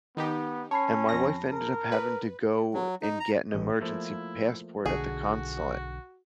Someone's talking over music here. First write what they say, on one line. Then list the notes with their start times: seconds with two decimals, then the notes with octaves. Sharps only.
and my wife ended up having to go and get an emergency passport at the consulate.
0.17 D#3 B3 D#4 G4
0.71 C#4 C#5 A5 B5 C7
1.09 F2 A#6
1.52 A#4
1.92 B4
2.74 F#3
3.02 D#4
3.20 A#5
3.52 A1 D#5
3.80 F3 A3 A#3 E4
4.86 B1 D3 F#4 G#4